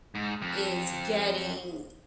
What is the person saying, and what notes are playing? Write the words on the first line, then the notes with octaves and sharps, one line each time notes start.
is getting
G#2
F2